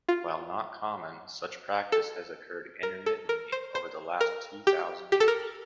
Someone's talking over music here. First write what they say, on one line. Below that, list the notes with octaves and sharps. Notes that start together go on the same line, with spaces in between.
While not common, such practice has occurred intermittently over the last two thousand years.
F4
A4
A#4
A4
A#4
C5
C5
A#4
G4
G4
A4
A#4